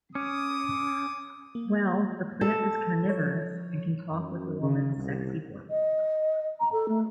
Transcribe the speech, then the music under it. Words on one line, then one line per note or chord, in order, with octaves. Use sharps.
Well, the plant is carnivorous and can talk with a woman's sexy voice.
C#4 D6 D#6
A#3
A4
F3 C#5
F#2
C#3
C2
D#5
A#5
A4
A3